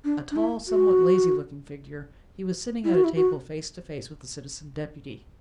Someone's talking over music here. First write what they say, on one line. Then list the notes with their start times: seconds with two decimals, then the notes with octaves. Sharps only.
A tall, somewhat lazy-looking figure, he was sitting at a table face to face with the Citizen-Deputy.
0.05 D4
0.31 D4
0.36 E4
0.67 F#4
2.84 E4
2.94 F#4
3.04 E4
3.16 F#4